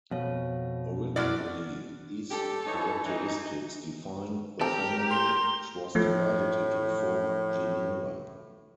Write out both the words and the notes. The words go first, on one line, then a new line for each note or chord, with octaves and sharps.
Originally, these characteristics defined the family, which was divided into four genera.
F2 B2 C#5 F5
F#2 E4 D5 F6 F#6
G2 G4 A4
E3 D#4 C#5
E3 D#4
C4 G4 A4 A#4
C6
A2 F3 A3